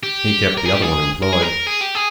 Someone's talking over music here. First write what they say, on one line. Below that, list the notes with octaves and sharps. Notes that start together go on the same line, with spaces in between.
He kept the other one employed.
G4
A#4
G#4
G4
G#4
A#4
G#4
A#4
G#4
G4
G#4